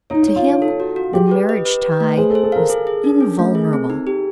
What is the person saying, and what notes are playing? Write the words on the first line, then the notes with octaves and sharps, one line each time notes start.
To him the marriage tie was invulnerable.
D#4 C#5
D#4
C#5
F4
C#5
A4
F#4
F#4
G4 G#4
B4
D#5
B4
B4
A3
G#4 C5
A4
C5
A4
A#4 F5
G#4
G#4
D4
C#4
A3
G#4
C4
D#4
G4